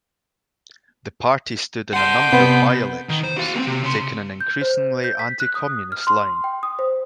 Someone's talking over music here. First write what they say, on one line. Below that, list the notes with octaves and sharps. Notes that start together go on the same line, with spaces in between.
The party stood in a number of by-elections, taking an increasingly anti-communist line.
F#5 A5 C6 G6
C3 B3
D#3
C5
F#4 F5
A#3 C4
C3
C#3 C6
G6
C5
G6
B6
F#6
D#6
F6
C6
G5
D#6
C5